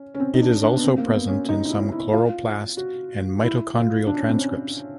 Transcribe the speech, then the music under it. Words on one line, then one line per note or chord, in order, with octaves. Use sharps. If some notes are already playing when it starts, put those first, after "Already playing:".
It is also present in some chloroplast and mitochondrial transcripts.
Already playing: C#4
C#4
C4
D#4
D4
D4
B3
C4
A#3
B3
C#4
D#4
D#4
E4
E4
F4
F#4
E4
F4
D4
C#4
C4
C#4